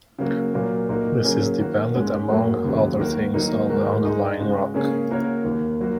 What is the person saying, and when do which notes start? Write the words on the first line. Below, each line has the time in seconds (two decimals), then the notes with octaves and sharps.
This is dependent, among other things, on the underlying rock.
0.18 C#3 F#3 A#3 F#4
0.54 A#2 F#3 A#3
0.89 A#2 A#3 D#4 F#4 A#4
1.23 C#3 F#3 A#3 C#4 G#4
1.59 D#3 A#3 F#4
1.95 G#2 G#3 C#4
2.29 F#2 F#3 A#3 F#4
2.64 D#2 C#3 F#3
2.99 D#3 A#3 F#4 A#4
3.34 D#3 F#3 A#3 D#4
3.69 G#2 D#3 G#3 F#4 A#4
4.04 G#2 G#3 D#4 G#4
4.39 C#3 G#3 F#4
4.74 C#3 A#3 C#4 G#4 C#5
5.09 C#3 A#3 F#4 A#4 C#5
5.44 D#2 D#3 A#3
5.81 F#3 A#3 F#4